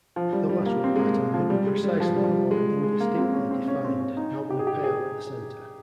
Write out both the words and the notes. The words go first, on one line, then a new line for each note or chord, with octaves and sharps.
The lateral pattern may be precisely or indistinctly defined, normally pale at the center.
F3
G3
G3
A#3
C4
G#3
A#3
G#3
F3
G3
G#3
G3
F3
G3
F3
G3
G#3
G#3
A#3
C4
C#4
C4
C#4
C4
C#4
D#4
G4
G#4
G4
G#4